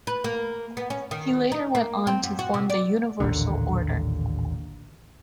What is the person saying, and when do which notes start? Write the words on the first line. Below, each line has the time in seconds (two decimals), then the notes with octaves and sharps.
He later went on to form the Universal Order.
0.07 B4
0.24 A#3
0.77 B3
0.90 C#4
1.11 D#3
1.52 D#4
1.75 A#3
2.07 C4
2.23 F#2
2.39 F#4
2.54 C3
2.70 D5
3.20 A1 D#2 A#2 D3